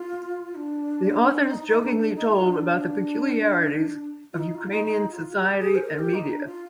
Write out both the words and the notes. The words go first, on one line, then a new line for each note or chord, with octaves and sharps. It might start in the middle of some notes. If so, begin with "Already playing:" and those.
The authors jokingly told about the peculiarities of Ukrainian society and media.
Already playing: F4
D4
D#4
D#4
D4
D4
D#4
F4
D4
F4
D#4
F4
D#4
D#4
F4
G4
G#4
C5
A#4
G4
D#4
D4
F4